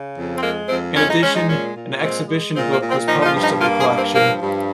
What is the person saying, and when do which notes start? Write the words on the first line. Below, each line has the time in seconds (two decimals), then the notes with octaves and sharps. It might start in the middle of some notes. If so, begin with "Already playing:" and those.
In addition, an exhibition book was published of the collection.
Already playing: C#3
0.16 F2
0.35 C4
0.42 G#3 A#3
0.68 F2 C4
0.95 G#3 C#4
1.09 D#4
1.22 G#3 C#4
1.34 D#4
1.47 A#2 C#4
1.75 A#2
2.02 G#3 C4
2.28 G#3
2.55 A#2 C4
2.72 A#3
2.81 A#2
2.89 C4
3.07 F3 D#4
3.21 D#4
3.25 F4
3.34 G2
3.43 D#4
3.60 A#3 F4
3.79 G#4
3.87 G2
3.97 C4
4.14 F3 A#3
4.40 G2